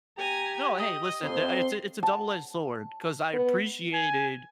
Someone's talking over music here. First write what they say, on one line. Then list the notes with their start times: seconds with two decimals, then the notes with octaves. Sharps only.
No, hey, listen, tha it's a it's a double edged sword, 'cause I appreciated
0.18 G4 G#5 A#5
0.77 D#5
1.24 F2 C4 C6
2.03 A5
3.33 B3
3.93 G#5